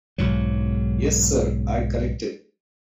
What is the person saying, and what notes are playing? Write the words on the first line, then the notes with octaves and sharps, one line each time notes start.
Yes, sir, I corrected.
B1 G#2 F#3